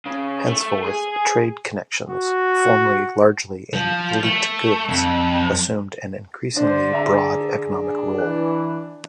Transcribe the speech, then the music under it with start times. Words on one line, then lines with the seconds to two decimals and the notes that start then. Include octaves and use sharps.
Henceforth trade connections, formerly largely in elite goods, assumed an increasingly broad economic role.
0.06 C#3
0.46 A3
0.84 G#4
2.10 F#4
3.73 F3
4.23 A3
4.89 F2
6.56 D3 D4 C5
6.93 G#4 E5 A#5
7.70 D4
8.18 E3 F#6